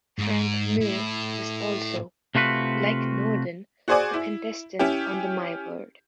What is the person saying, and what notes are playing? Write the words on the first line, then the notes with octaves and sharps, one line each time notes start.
Frank Muir was also, like Norden, a contestant on the My Word!
G#2
A2
C3 A3 F4 F#4 B4
F#4 G#4 C5 D5 G#5 D6
E4
C#4 E4 G4